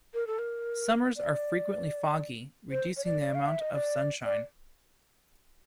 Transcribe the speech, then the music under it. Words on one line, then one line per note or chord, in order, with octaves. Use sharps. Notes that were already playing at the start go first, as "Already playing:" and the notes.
Summers are frequently foggy, reducing the amount of sunshine.
A#4
A4
A#4
D5
C5
C#5
D5
F5
E5
D#5
D5
D5